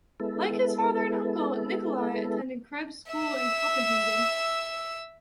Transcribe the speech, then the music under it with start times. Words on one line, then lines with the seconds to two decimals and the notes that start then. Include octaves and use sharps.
Like his father and uncle, Nikolai attended Krebs School in Copenhagen.
0.20 G#3 B3 E4 A4
3.12 E5 E6